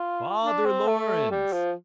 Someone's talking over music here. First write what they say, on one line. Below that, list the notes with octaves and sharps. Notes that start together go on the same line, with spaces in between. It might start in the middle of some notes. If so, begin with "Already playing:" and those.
'Father Laurence!
Already playing: F4
D4
C4
A3
G3
F3